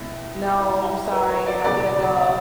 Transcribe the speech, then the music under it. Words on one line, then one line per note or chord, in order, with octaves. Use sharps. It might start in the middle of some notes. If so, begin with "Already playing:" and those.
No, I'm sorry you're not gonna go."
Already playing: C#2 B2 E4
E4
B4
C#5
D5
E1 E2 C#3 D5
E5